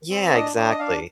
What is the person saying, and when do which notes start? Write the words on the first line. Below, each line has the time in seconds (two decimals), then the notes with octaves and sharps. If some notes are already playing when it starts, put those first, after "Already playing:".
Yeah. Exactly.
0.10 C4
0.33 D4 D#5
0.56 D4
0.69 D#5
0.79 D4 F5